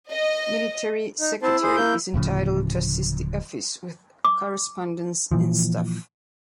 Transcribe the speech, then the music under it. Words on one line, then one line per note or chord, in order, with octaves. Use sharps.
Military Secretary is entitled to assist the office with correspondence in staff.
D#5
D#4
C4 E4 C5 A5
G#4 C5
A#3 G6
D1 A2 C#3 F3
D6
A#2 E3 F3